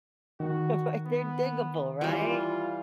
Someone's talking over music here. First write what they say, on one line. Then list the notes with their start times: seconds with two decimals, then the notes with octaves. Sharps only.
but they're diggable, right?
0.40 D#3 F#4
1.06 B3
2.01 E3 G3 F4